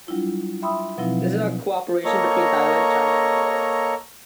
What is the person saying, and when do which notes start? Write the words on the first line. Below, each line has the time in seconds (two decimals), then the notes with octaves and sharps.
This is a cooperation between Thailand, China and Laos.
0.07 F#3 G3 D4 E4 F4
0.62 E5 G5 B5 C6 D#6 E6
0.98 B2 F3 F#3 C4 D#4 E4
2.05 A#3 A4 C#5 D#5 A#5 C#6